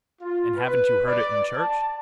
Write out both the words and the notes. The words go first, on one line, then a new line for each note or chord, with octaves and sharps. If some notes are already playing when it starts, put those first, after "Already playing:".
"And haven't you heard it in church?"
F4
B4
D5
A5